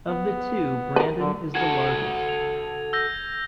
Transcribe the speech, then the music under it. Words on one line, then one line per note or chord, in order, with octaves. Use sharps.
Of the two, Brandon is the largest.
B3
A#4 B4
D3
F#4 A4 G#6
F7
E6 G6 A#6